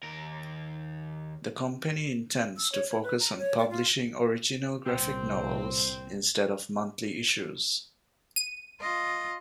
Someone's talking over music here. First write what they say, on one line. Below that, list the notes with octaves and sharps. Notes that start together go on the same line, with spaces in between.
The company intends to focus on publishing original graphic novels instead of monthly issues.
D#2 A#4
E6
C#5
C#5
B4
A#5
C#5
D5
F4
C2 A#2 C4
D#7
F4 D#5